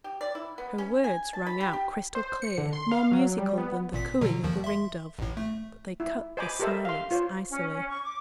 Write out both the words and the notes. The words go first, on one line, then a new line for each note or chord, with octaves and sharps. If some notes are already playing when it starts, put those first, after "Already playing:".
Her words rang out crystalclear, more musical than the cooing of the ringdove, but they cut the silence icily.
G4
D5
E4
B3
C#4
G#5
A5
B5
G4
G4
C5
C#7
D3
C6
F5
F#3
G3
B3
G#1 A#2 B6
B2 D3 F#3
D#2 D#3 F3
E5 C6
A1 A2
A3
E4
C5 D#5 G#5 B5 D6
G4 A4 A#4 C5 D#5 E5
F5 C6
F4 C5 C#5
C#4
C#4
C#6
D6